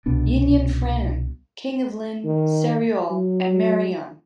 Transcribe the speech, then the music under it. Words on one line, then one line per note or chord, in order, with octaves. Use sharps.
Einion Frenin, king of Llyn, Seiriol, and Meirion.
C2 B2 B3 D4
D#3
F#3